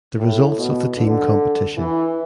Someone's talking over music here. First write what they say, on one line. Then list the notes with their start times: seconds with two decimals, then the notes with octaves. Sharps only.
The results of the team competition.
0.18 A2
0.58 B2
0.97 D3
1.77 E3